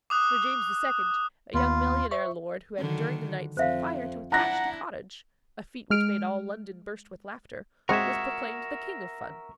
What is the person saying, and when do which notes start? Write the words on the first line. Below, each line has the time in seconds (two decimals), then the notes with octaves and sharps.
Under James II. a young millionaire lord who had during the night set fire to a thatched cottage--a feat which made all London burst with laughter--was proclaimed the King of Fun.
0.10 D6 D#6 F#6
1.54 D#2 B3 F4 B5
2.11 C5 E5 C#6
2.78 D3 D#3 F#3
3.57 F2 C5 E5 F5
4.32 D4 E4 F#5 A#5 F#6 A#6
5.90 G#3 F6 D7
7.89 G#3 C4 A#4 E5 F#5 C#6 D#6 G#6